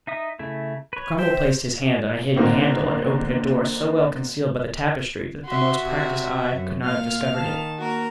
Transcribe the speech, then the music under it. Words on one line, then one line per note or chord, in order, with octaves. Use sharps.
Cromwell placed his hand on a hidden handle and opened a door so well concealed by the tapestry that the most practiced eye could not have discovered it.
D#4 E5 D#6
C#3 A3 E4
B4 C#5
C5 E5 G5
A#2 D3 D#3 A#3 C4
F#4 E5 C6
C3
F#2
A#2 F5 F6
D#3 A5
A#3 F#4 A#4